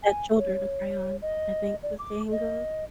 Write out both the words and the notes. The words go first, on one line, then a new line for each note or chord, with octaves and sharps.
"That shoulder to cry on," I think, the saying goes.
G#5
C#5
D#5
D5
D6
D#5